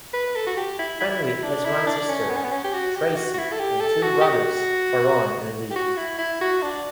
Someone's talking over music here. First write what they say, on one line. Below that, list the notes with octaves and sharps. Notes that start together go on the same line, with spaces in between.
Fenwick has one sister, Tracey, and two brothers, Faron and Lee.
B4
A4
F#4
G4
E4
E4
E4
D4
E4
D4
C#4
B3
C#4
B3
C#4
G4
F#4
G4
F#4
F#4
E4
A4
G4
A4
F#4
G4
F#4
G4
F#4
E4
E4
F#4
D4